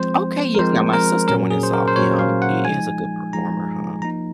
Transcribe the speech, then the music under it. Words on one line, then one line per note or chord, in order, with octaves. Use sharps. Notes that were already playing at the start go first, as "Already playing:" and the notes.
Okay, yes. Now, my sister went and saw him. He is a good performer, huh?
Already playing: F3 G#3 C4 C5
A#4
F3 G#3 C4 C5
A#4
A#2 F#3 C#4 A#4
G#4
C5
A#4
C5
A#2 F#3 C#4 C#5
F5
F#5
F3 G#3 D#4 G#5
F3 G#3 D#4 A#5
F3 A#3 D#4 A#5